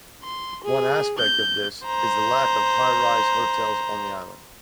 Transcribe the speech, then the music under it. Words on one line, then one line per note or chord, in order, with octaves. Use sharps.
One aspect of this is the lack of "high rise" hotels on the island.
C6
G#4
G6
C5 A#5